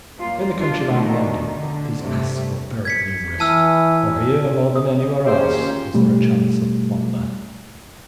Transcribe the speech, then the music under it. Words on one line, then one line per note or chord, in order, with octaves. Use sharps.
In the country round London these pests were very numerous, for here, more than anywhere else, was there a chance of plunder.
F#2 A#3 F4
D4 F4
B2 D3 D#3 A3
D3
G2 C3 A3
G#6 B6 C#7
E3 A5 E6 F6
D#6
D#3 A#3 C#4 F4 G4 G#4 C5
B2 G3 A3